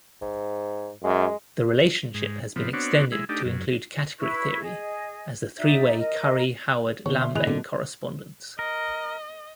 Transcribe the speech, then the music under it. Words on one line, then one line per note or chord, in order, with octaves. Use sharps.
The relationship has been extended to include category theory as the three-way Curry-Howard-Lambek correspondence.
G#2
F#2 G#3
G#2
C3 F3 B3
B3 C4 D4 F#4 C#5
G#3 E4
A3 D4 D#4 G4
F#2
E4 B4 C#6
G#4 D#5
D#4 F#4 D5 E5
A#4 D#5
B2 D3 C#5 G7
E5 C6
B2 E3 G#3 F#6 F7
A#2 D3 F#3 C4
A#4 D#5